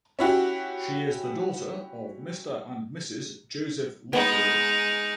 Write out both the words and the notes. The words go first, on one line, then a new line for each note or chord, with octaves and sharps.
She is the daughter of Mr. and Mrs. Joseph Loughery.
C#4 E4 F#4 G4
G#3 B3 D#4